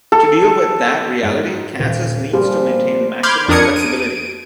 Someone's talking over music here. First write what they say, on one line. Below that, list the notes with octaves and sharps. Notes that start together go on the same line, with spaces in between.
To deal with that reality Kansas needs to maintain maximum flexibility.
A4
G#2
D#1
A#2 F3 G3
B5 C6 D6 F6 G6 G#6
F2 D4 A#4 D#6 G#6 C#7
D7 D#7